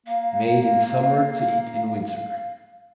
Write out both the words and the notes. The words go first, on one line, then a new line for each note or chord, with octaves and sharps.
Made in summer to eat in winter.
A#3 F5